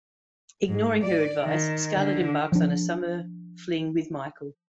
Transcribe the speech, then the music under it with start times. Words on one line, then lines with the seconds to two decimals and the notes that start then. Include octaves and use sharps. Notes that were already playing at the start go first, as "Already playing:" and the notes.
Ignoring her advice, Scarlett embarks on a summer fling with Michael.
0.68 G#2
1.04 D5
1.42 D#3
1.97 D3
2.52 F3 D4